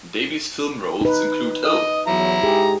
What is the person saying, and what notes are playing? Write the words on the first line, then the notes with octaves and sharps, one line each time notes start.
Davies' film roles include Oh!
D#4 B4
D#5
E2 F#3 E4 A#5
G#2 G#3 G4 G#4